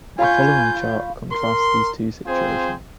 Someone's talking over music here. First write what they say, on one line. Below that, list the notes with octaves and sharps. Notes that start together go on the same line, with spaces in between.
The following chart contrasts these two situations.
F4 F5 G#5 B5 C#6 G6
A#4 C6
C4 F4 G#4 C5